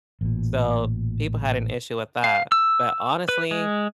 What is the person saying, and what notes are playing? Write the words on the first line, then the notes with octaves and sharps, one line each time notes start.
so people had an issue with that. But honestly,
A1 A#2
F5
E6
B4
G#3